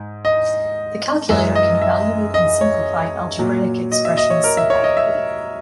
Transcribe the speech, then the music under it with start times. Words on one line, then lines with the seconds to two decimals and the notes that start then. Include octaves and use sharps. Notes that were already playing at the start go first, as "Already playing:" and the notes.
The calculator can evaluate and simplify algebraic expressions symbolically.
Already playing: G#2
0.25 D#5
1.29 F#2 E3 G#3 E5
1.55 D#5
1.82 E5
2.34 D#5
2.61 C#5
3.39 A#2 F#3
3.92 D#5
4.05 E5
4.17 D#5
4.30 C#5
4.44 A#4
4.57 E5
4.70 C#5
4.84 D#5
4.97 E5